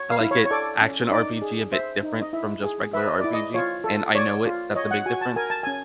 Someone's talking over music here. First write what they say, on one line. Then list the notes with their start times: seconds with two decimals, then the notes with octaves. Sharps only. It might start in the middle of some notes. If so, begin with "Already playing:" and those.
I like it. Action RPG, a bit different from just regular RPG, and I know it. That's a big difference,
Already playing: C#5
0.11 F5
0.20 E4
0.31 C#5
0.46 C#5
0.51 A4 D5
0.82 C#4
1.11 D#4 D5
1.42 G#4
1.72 C5 E5
2.03 D#4
2.21 D#5
2.33 E4 E5
2.64 G#4
2.93 B4 E5
3.08 D#5
3.20 E4 D5
3.34 D#5
3.54 F4 C#5
3.84 A4
4.15 C#5 D5
4.46 F4
4.75 C#5 D#5
4.91 F#5
5.06 F#4 G#5
5.21 A5
5.36 A#4 G#5
5.50 A5
5.63 C#4 G#5